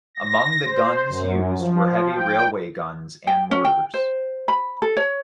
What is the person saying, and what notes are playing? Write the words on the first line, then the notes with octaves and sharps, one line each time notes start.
Among the guns used were heavy railway guns and mortars.
A#6
C5
F#2
F3
G5
G5
C#4
G5
C5
B5
A4
C#5